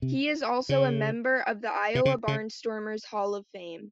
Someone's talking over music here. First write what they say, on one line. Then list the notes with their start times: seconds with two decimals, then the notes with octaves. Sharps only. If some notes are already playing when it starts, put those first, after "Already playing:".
He is also a member of the Iowa Barnstormers Hall of Fame.
0.02 C3
0.69 C#3
1.95 C3
2.05 C#3
2.28 C#3